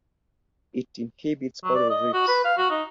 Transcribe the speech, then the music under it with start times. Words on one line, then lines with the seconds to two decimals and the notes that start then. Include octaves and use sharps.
It inhabits coral reefs.
1.64 F#3
1.75 D5
1.90 D#5
2.13 F#4
2.28 B4
2.45 F5
2.57 F#4
2.71 D#4